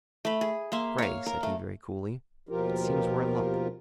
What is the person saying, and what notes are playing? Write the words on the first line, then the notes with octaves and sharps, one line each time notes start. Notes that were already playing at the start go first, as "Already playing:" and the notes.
"Grey," said he, very coolly, "it seems we're in luck."
A3 B5
G#4
A#3 E5 C6
C#5 F5
A#4
A3
D#2 B2 F3 F4 G4 A#4